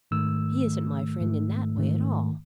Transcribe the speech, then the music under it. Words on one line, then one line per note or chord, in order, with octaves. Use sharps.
"He isn't my friend in that way at all."
G#2 D#3 A3 E6
G#2 D#3 A3
G#2 D#3 A3
G#2 D#3 A3